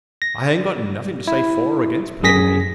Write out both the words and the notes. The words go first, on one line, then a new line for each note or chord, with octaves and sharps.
I ain't got nothin' to say for or against polygamy.
A#6
E4
F#2 G#4 A#6 B6